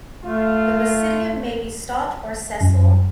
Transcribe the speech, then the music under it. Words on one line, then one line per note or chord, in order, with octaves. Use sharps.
The basidium may be stalked or sessile.
A3 F4
F#2